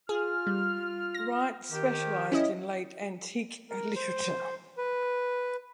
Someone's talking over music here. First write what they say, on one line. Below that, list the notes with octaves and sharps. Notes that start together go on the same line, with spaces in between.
Wright specialized in late antique literature.
F4 G#4 F6
G3
A#6
D#3 G4
C#4 E4 D#5
A#4
C5
B4